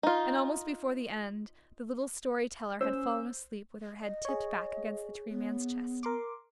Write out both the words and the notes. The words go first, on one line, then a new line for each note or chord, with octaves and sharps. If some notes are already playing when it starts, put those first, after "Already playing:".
And almost before the end the little story teller had fallen asleep with her head tipped back against the Tree Man's chest.
D#4 F4
C#4 C5 E6
D#5
G#4 C#5
B3
A#4 C6 D6